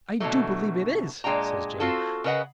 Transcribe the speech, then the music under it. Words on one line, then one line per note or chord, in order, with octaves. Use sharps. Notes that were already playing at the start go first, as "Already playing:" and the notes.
"I do believe it is," says Jane.
B2 D3 E3 F#3 A3
A#2 G#3 D4 G5 A#5
C4 F4 F#4 A4
C#3 A#4 B4 D#5 F#5